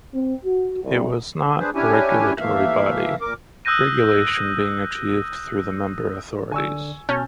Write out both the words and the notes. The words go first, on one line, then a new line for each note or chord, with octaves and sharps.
It was not a regulatory body, regulation being achieved through the member authorities.
C4
F#4
C2
D4 G#4 B4 C5
C#4 D4 E4 G4 C#5 G#5
D#2 E3 A3 A#3 E5 F5
A#2 A#4 D6
D#6 E6 F#6 G6 A#6 D#7
D3 D5 G#5 C#6 E6
B2 C#4 A5 F6 G6 A6